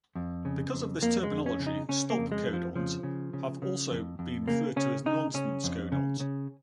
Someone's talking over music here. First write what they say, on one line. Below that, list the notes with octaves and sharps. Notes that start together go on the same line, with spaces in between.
Because of this terminology, stop codons have also been referred to as nonsense codons.
F2
C#3
F2
F2 A#3
G#3
F2
C#4
C#3
D#4
C#3 C#4
A#3
F2
G#3
F2
F3
C#3 F3
C#3
C#3
C#3
F2
F2
C#3 A#3
C#3 C#4
C#3 D#4
C#3 C#4
F2
C#3
C#3